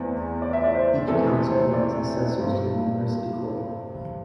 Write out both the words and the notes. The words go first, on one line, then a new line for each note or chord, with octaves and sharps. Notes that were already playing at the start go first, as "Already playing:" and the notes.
Each council elects assessors to the university court.
Already playing: E2 E3 A3 C4 D5
D5
E5
D5
C5
C3 E3 A3 A4
G4
C5
C5
D5
G2 G3 C4